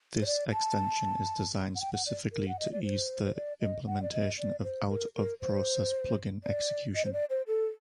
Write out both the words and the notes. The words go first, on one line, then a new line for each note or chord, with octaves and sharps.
This extension is designed specifically to ease the implementation of out-of-process plugin execution.
C5
D5
A5
F#5
G5
F#5
D5
A#4
F#5
D#5
D5
C5
C5
D5
D#5
F#5
D5
D#5
D5
C5
A#4
A#4
C5
D5
D#5
C5
D5
C5
A4